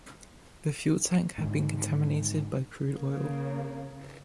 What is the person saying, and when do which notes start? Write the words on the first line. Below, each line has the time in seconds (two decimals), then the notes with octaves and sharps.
The fuel tank had been contaminated by crude oil.
1.38 G#2 D3 D#3
2.95 C#3 A#3